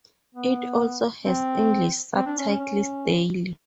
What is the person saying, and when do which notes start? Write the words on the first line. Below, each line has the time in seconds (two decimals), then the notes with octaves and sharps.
It also has English subtitles daily.
0.35 B3
1.25 C4
2.16 C4
2.26 D4
2.38 C#4
2.50 C#4
2.60 C#4